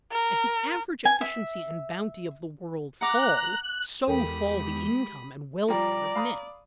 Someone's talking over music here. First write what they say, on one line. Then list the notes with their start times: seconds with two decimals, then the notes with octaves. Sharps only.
As the average efficiency and bounty of the world fall, so fall the income and welfare of men.
0.12 A#4
1.05 G#5
1.21 E5
3.01 F#5 A#5 D6 F#6
4.08 E2 G#3 G4 A4 A#4 G5 B5 D#6
5.68 F3 G3 D5 A#5
6.15 F5 B5 D#6